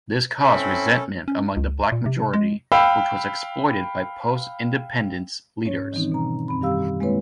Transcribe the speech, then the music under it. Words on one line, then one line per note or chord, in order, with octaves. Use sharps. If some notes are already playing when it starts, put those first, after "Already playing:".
This caused resentment among the Black majority, which was exploited by post-Independence leaders.
C4 C#4 E4 A4 B5
C#4
C#2
A#2
C3
G#3
F5 G5 B5 E6
G#2 C#4 C#5
D#3 E3 G3 C4 D#4
B2 A#5
F#2 C4 B5
D#3 G3 G4 F5 E6
G#3 A#3 C4 E4 B4 C#5